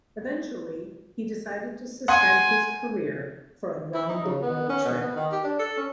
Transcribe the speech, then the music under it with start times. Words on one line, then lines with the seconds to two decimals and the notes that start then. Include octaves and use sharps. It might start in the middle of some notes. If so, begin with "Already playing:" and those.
Eventually, he decided to suspend his career for a round-the-world trip.
2.08 F#5 G#5 C6
3.94 E4
4.09 D#4
4.24 C#3
4.42 B3
4.69 C#4
4.84 B2
5.01 B3
5.16 D#3
5.32 G4
5.44 D4
5.59 A4
5.77 C#4